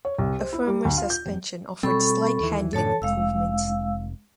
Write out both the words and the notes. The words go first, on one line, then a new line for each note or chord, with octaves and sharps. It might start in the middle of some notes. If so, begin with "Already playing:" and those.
A firmer suspension offered slight handling improvements.
C#5
C2
C5
E4
G3
D2
F4
G6
F1
B2 G3 C4 A4 B5 C#6
D#2 E3
F#2 A2 D3 A4 C#5 A5
F1 G#3 F5 E6